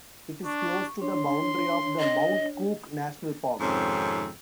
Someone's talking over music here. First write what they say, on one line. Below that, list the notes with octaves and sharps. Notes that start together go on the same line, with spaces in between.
It is close to the boundary of the Mount Cook National Park.
D4 C#6
D4 C#5 C6
D#5
F2 G#2 C3 D#3 C4 C#4